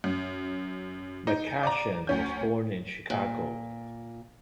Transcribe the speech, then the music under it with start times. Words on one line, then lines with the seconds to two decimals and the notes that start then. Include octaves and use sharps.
McCashin was born in Chicago.
0.04 F#2
1.27 D#4
1.63 D5 A#5
2.07 D2 C#4 G6
3.10 A#2